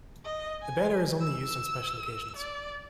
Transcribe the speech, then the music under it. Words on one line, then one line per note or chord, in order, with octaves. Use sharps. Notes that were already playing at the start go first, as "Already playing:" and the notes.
The banner is only used on special occasions.
D#5
G#5
E6
D5